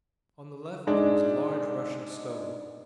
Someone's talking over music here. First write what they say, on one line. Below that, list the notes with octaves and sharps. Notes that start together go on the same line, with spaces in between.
On the left was a large Russian stove.
G#2 G#3 D4